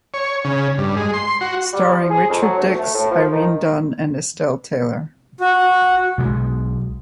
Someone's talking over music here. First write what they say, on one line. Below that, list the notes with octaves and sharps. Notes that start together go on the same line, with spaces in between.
Starring Richard Dix, Irene Dunne and Estelle Taylor.
C#5
C#3
G2
G#3
C6
F#4
G3
F3
G#4
F2
F#3
D2
A3
A2
F3
D#3
F#4
B1 B2 D3 G#3